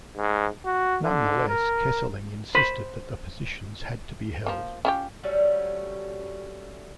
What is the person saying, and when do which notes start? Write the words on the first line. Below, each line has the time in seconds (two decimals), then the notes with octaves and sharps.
Nonetheless, Kesselring insisted that the positions had to be held.
0.18 G#2
0.66 F#4
1.04 D3
1.48 A#4
2.55 C5 B5
4.46 F3 A#3
4.85 C#4 F4 G4
5.23 F#3 G3 A3 C#4